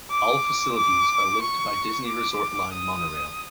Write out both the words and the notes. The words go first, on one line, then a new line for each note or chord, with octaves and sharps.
All facilities are linked by Disney Resort Line monorail.
D6
D6
C#6
D6
D#6